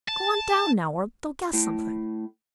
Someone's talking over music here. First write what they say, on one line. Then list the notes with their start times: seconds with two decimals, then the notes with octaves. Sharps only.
Go on down now, or they'll guess something.
0.09 A5
1.53 A2